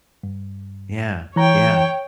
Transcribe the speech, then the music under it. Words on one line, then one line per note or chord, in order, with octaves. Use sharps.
Yeah, yeah.
G2
E3 C#5 G5 A#5